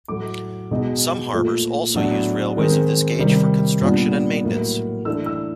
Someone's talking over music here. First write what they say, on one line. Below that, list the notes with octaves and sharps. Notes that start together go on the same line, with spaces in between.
Some harbours also used railways of this gauge for construction and maintenance.
A2 F#3 A3 D6
B2 G#3 B3 D#4
A#2 F3 A3
A2 F#3 B3 D4
D#3 G#3 C4
C3 D#3 G3
A#2 G3 B3 D4
A2 F#3 A#3 D#4
E3 A3 D4 E6
E6